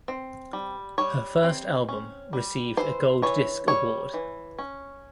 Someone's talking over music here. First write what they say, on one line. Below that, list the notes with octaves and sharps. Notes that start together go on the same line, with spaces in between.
Her first album received a Gold Disc Award.
C4
G3
G3 C#5
C4
C#4
G3
E3 C5
E3 C#5
G3 C#5
E3
C#4